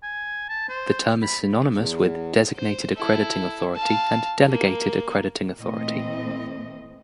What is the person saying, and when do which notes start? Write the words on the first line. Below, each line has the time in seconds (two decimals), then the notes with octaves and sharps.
This term is synonymous with "Designated Accrediting Authority" and "Delegated Accrediting Authority".
0.03 G#5
0.49 A5
0.69 C5
1.23 B5
1.72 E2
2.56 C5
2.97 E4 A4
3.75 F5 A5
4.49 A#3
5.57 A#2 E3 A3 C4 D#5